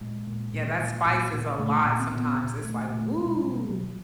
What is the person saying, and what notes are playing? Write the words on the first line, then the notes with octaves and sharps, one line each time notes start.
Yeah, that spice is a lot sometimes. It's like, "Whoo."
A#2 G#3
A#2
A#2
A#2
A#2
A#2
A#2 A3
A#2 A#3
C4
A#2 B3
A#2
A#2 A3
A#2 A3
B2 G#3
B2 G3
B2 F#3